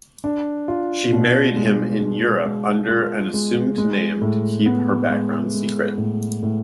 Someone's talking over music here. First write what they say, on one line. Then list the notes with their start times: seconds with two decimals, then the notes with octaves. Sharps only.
She married him in Europe under an assumed name to keep her background secret.
0.24 D4
0.68 F4
1.12 B2
1.57 G#3
2.00 G#3
2.45 G#3
2.88 F4
3.34 G#3
3.78 G#3
4.21 A2
4.66 B3
5.10 G#3
5.54 G#3
5.98 A2
6.43 A2